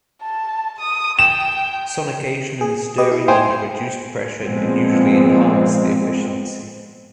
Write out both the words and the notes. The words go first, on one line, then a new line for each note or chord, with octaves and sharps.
Sonication and stirring under reduced pressure can usually enhance the efficiency.
A5
D#6
G5 E7
G#4
G4 B4 D#5
E4
C5 G5 G#5
A#2 F3 G#3 B3 C4